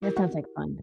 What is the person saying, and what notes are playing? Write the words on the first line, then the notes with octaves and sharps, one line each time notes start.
that sounds like fun.
E4 G4 A#4
F#4